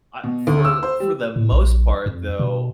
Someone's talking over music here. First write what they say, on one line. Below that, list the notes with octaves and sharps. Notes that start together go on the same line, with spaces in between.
I for for the most part, though
B2
D2
E6
C5
G3
A2
A#1
F2
B2